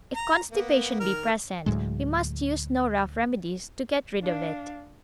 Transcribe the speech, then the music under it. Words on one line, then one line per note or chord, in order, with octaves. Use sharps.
If constipation be present, we must use no rough remedies to get rid of it.
A#5
A#3 B3
D#3 A#4 F6
D2 A2 F#3 G#3
D4 F5